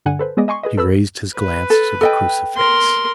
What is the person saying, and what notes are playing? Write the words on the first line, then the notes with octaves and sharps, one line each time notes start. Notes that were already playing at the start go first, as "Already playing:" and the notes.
He raised his glance to the crucifix.
G2 D3 F#5 G#5
A4 B4 C5
G#3 B3 G#4 D5 D#5
D#5 G#5 C6 C#6
G#4 B4 D#5
A4 B4 B5 E6
B4
A4
A4 D#5 G5
A#4 C6